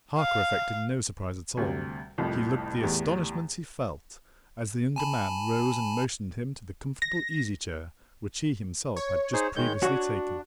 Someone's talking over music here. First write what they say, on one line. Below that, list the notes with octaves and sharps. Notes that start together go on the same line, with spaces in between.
Harker affected no surprise at all--he looked the astonishment he felt as the younger man rose and motioned him to the comfortable easy-chair which he himself had just previously taken.
F5
D2 C3 G3
C2 F2 A2
E2 A2 G4
G#5 A5 B5
A#6
C#5
D#4 G#4 C5
D#3 G#3 G6
D4 F#4